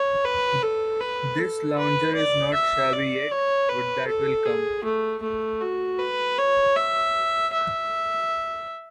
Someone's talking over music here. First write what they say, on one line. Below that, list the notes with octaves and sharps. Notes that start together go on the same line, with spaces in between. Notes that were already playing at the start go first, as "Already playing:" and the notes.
This lounger is not shabby yet, but that will come.
Already playing: C#5
B4
A4
B4
A4
B4
D5
E5
D5
C#5
B4
A4
G#4
A3
A3
F#4
B4
C#5
E5
E5